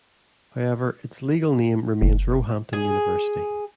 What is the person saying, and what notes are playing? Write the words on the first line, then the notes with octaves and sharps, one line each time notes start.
However, its legal name remains Roehampton University.
F#1
G#4